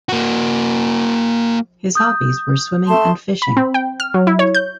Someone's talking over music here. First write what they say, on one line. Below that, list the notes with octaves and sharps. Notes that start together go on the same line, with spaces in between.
His hobbies were swimming and fishing.
A#3 F#4
D#6 G6
A3 A5 C6
B5
C4
G5
F6
F#3
E4
C#5
G6